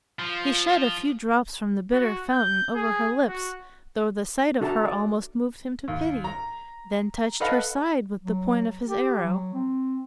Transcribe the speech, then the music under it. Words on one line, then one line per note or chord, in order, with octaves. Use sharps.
He shed a few drops from the bitter fountain over her lips, though the sight of her almost moved him to pity; then touched her side with the point of his arrow.
F3
F#4
G6
G#4
F#4
D4 F#4 A4 E5 A5 A#5
D5
D#2
A#5
A4 B4 D#5 F5 F#5 B5
F#3
G4
F#3
C4